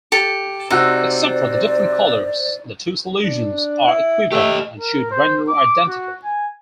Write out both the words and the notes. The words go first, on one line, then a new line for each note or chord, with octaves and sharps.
Except for the different colors, the two solutions are equivalent and should render identically.
G4 A4
C3 D#4 F#4 C5 D5 E6
D4
E4
A3 G4 D#5
A#4
C5
D6
F#4
G#5